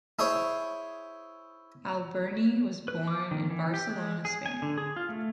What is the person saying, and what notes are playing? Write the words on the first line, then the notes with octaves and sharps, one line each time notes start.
Alberni was born in Barcelona, Spain.
E4 G#4 C5 C#5
B4
D6
D#3
E3
G4
G#3
G#4
G#5
D3
G#4
F4
A3